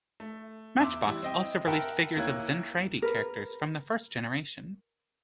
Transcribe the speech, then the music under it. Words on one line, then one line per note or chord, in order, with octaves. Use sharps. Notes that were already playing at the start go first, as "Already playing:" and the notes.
Matchbox also released figures of Zentraedi characters from the first generation.
A3
E2 E5 C6 D6
E3 G3 E4
C4 D#5 G5
A#4 E5 F#5 G5 A5 B5
D#2 A#3 E4 C#5 F#6 G#6
A#4 B4